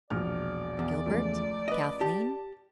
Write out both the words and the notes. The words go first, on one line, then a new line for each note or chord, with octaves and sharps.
Gilbert! Kathleen!
E1 A#1 D5 F6
E2
C#2 F3 A3
B4 D#5
G4 A5